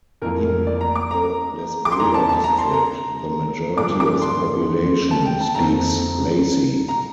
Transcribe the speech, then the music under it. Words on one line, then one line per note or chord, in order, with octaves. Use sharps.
In the Lasbela District, the majority of the population speaks Lasi.
F2 E3 A#3 A#4
D5
A#5
D6
A#5
D6
C6
E2 E3 A3 A#5
A5
A5
A#5
C6
A#5
G2 D3 F3 A#3 D4 D6
D6
C6
A5
G5
A5
F2 D3 A3 C4 A#5
A#5